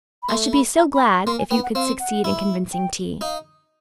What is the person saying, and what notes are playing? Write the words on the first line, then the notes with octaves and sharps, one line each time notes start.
I should be so glad if you could succeed in convincing T.!
B5
A3 C6
B5
A#5
B5
C#6
A#3 C6
G#5
B3 G5
F#5
C4 F5
F#5
E4
G5
D#4 F5